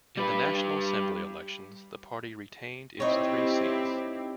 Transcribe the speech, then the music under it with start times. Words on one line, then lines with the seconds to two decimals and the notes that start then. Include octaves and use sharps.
In the National Assembly elections, the party retained its three seats.
0.17 G3 B4
3.00 C4 D#4 E4 G4 C#5